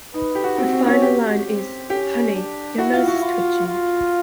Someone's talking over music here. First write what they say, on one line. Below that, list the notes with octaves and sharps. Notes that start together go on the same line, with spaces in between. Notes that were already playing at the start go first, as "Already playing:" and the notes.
Her final line is "Honey, your nose is twitching".
D#4 B4
G4
F#4
C4 F#4
C4
C#4
G4
C4
C#4 G4
D4
E4 F#4
F4
F#4
F4
F4